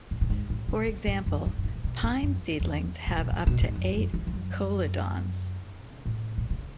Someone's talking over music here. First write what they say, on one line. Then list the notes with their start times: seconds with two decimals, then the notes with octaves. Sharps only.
For example, pine seedlings have up to eight cotyledons.
0.11 A2
0.21 A2
0.30 G#2
0.50 A2
0.69 B2
0.88 C#3
1.07 G#2
1.26 F#2
1.46 G#2
1.58 G#2
1.64 A2
1.76 A2
1.84 B2
2.03 G#2
2.23 F#2
2.60 E2
3.07 A2
3.18 B2
3.32 A2
3.47 B2
3.61 G#2
3.76 F#2
3.94 F#2
4.14 E2
4.27 E2
4.34 F#2
6.06 A2
6.38 B2
6.50 C#3